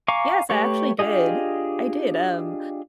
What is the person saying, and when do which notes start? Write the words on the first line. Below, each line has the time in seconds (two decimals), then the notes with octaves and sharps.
Yes, I actually did. I did, um,
0.08 F5 G#5 A#5 C#6 D6
0.50 A3 G4 B4 C#5
0.99 D4 F4 G4 G#4 D#5